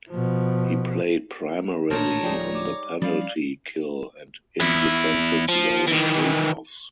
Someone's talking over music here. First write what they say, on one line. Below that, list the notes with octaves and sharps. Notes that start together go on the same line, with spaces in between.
He played primarily on the penalty kill and in defensive-zone faceoffs.
B2 F3
A1 A#2 D#4 A#4 C5 C#5 A5 A#5
D1 F3 G3 G#3 D#4
D6
F3 G3 C#4 D5 F5 B5
E2 E4
F3
D#3 E3